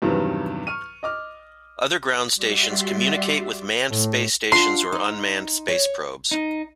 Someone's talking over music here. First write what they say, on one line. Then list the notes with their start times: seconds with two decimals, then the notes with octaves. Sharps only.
Other ground stations communicate with manned space stations or unmanned space probes.
0.02 E2 G2 C3 D#3 F#3 B3
0.67 C#6 F6 D#7
1.03 D#5 D6 F6
2.34 G3 F#4 G4 D5 E5 C6
3.89 A2
4.52 D4 F4 F#5 C6
4.92 D#4
5.68 C#5
6.31 D#4